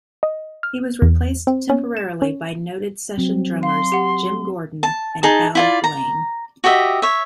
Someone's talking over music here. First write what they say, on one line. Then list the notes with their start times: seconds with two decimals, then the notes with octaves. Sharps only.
He was replaced temporarily by noted session drummers Jim Gordon and Hal Blaine.
0.23 D#5
0.63 F6
1.02 E2
1.47 C4
1.70 C#4
1.97 E7
2.22 C#4
3.18 F#3 C4
3.63 F5 C6
3.92 G4 F#5
4.83 A5
5.23 D#4 G#4 A5
5.55 E4 F4 D5
5.84 A#5
6.64 F#4 G4 D#5 E5
7.02 C#5 E5